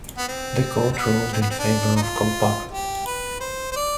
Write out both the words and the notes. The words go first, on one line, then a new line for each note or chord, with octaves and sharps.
The Court ruled in favour of Kolpak.
B3
C4
C4
B3
C4
B3
C4
D4
D#4
F4
G4
B4
C5
C5
D5